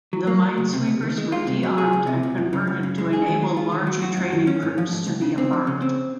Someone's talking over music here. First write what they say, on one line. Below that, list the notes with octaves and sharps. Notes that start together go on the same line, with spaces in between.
The Minesweepers were de-armed and converted to enable larger training crews to be embarked.
F#3
A#3
F#3
C#2
C3
C#2
D#3
G#3
F4
C3
F#3
G#4
C#2
C3
C#2
F#2
C#3
F#2
C#3
G#3
G#4
D#3
G#3
F4
D#3
F#3
F#4
F#2
D#3
C#4
G#2
F3
G#2
C#2
C#3
C4
F2
C#3
C4